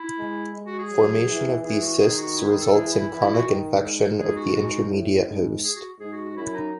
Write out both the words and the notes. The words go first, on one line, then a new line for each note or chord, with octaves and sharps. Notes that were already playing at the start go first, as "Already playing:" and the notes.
Formation of these cysts results in chronic infection of the intermediate host.
Already playing: E4
G#3
G#3
F#4
G#4
F#3
E3
E3 G#4
F#4
D#3 G#4
F#4
E4
G#4
A4
E3 G#4
E4
E3 E4
E4
F#4
D#3
G#2
G#2 G#4
F#4
G#2 F#4
F#4
A2
G#2
G#4
F#4
G#2 G#4
F#4
F#4
F#2 E4
D#4